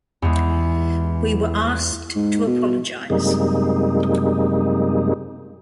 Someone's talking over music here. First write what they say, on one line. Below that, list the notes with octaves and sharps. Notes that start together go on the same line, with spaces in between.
We were asked to apologize.
E2 G#3
G#2
B2
F#2 C3 G3 G#3 A#3 D#4